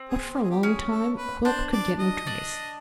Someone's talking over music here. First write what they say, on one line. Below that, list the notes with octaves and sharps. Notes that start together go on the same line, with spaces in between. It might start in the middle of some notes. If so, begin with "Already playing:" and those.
But for a long time Quilp could get no trace.
Already playing: C4
G#4
G4
G#4
G4
C#4 G#4
A4
B4
D4 C5
D5
D#5
D4